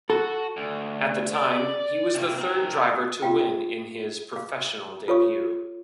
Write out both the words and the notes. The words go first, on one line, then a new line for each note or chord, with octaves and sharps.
At the time, he was the third driver to win in his Professional debut.
F#4 A4
D2
D5
C3 A#3
C4 A#4
F4 G4 F5 G5
F5 D6
F4 A4 C#5 F5 C#6